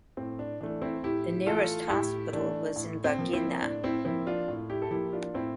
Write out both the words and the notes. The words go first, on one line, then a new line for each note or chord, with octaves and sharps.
The nearest hospital was in Varginha.
A2 C4
D4
E3 A3 D4
C4 E4
A2 E4 G4
E3 A3 F4 A4
A2 E4 G4
E3 A3 D4
A2
C4
F3 A#3
C4 E4
A2 D4
C4 E4
F3 A#3 C4 E4
D4 F4
A2
E4 G4
A4
F3 A#3 E4 G4
D4 F4
A2 C4 E4